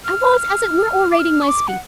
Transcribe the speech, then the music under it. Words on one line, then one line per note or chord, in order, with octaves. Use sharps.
I was, as it were, orating my speech.
F6
D6
F6
C#6
D6
F#5